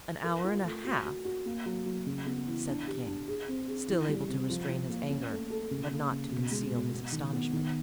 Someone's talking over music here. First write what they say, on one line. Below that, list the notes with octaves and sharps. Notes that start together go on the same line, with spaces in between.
"An hour and a half!" said the king, still able to restrain his anger, but not to conceal his astonishment.
A#4
F4
A3
F#4
F#4
F#4
A#3
F#3
F#3
C#3
B3
E3
D4
G4
D4
G#4
C4
G#4
E3
G3
C3
F3
F3
A#3
C#4
A3
A4
C#3
A#3
C#3
B2
G#3
B2
B3
D#3
B3
D#3